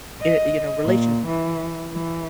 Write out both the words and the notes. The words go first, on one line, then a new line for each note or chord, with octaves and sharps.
eh, you know, "relations,"
D#5
A#2
E3
E3